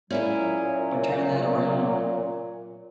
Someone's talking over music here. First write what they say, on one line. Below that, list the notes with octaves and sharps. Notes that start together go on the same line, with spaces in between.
But turn that around.
A#2 F#3 C#4 E4 G#4